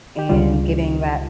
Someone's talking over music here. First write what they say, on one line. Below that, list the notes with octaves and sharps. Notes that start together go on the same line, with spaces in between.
and, giving that
G4
C#2 C#3 G3 F4